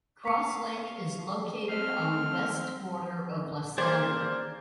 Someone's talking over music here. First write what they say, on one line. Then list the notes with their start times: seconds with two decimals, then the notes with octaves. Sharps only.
Cross Lake is located on the west border of Lysander.
0.23 F5 C#6 B6 C#7
1.68 A3 C4 D#5 F6 C7
3.78 A#3 G#4 C5 D5